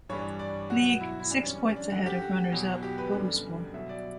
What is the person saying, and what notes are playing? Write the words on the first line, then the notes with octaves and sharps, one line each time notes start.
Lig, six points ahead of runners-up Boluspor.
G2 E3 G3 C#5
D5
B2 F#3 F#4
E4
E4
F#2 E3 G3 D4
C#4
C#4
D4
F#2 D3 F#3 F#4
G4
F#4
E2 B2 F#3
G4
B4
F#2 D3 G3
B2 F#3 E5
D5